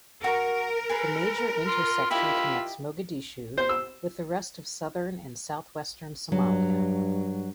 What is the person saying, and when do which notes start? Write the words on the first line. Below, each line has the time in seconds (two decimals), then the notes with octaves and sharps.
The major intersection connects Mogadishu with the rest of southern and southwestern Somalia.
0.24 F#4 A#4 C#6
0.89 G#4 B4 A#5
1.67 C6 F6
2.10 E4 F4 G4 D#5 B5 E6
3.58 C5
3.69 E6
6.32 G2 F#3